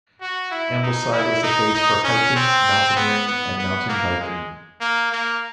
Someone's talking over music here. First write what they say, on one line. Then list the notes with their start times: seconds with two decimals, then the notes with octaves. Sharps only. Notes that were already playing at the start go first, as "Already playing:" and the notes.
Ambleside is a base for hiking, mountaineering and mountain biking.
0.21 F#4
0.51 E4
0.83 D#4
1.12 E4
1.43 D#4
1.75 D#4
2.04 C#4
2.36 C4
2.96 B3
3.27 B3
3.58 B3
3.89 A#3
4.20 G#3
4.81 A#3
5.12 A#3